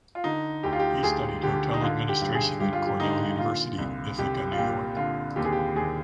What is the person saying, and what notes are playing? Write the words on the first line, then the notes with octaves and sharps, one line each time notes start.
He studied Hotel Administration in Cornell University, Ithaca, New York.
F4
D3 D#4
D2 G4
F4
G4
D2 G#4
D3 G4
D#4
D3 F4
G4
G2
G#4
G2 G4
F4
G4
D3 D#4
A#2 F4
C2
C2 G4
F4
A#2 G4
D3 F4
D#2 G4
G#4
G4
D#2 G#4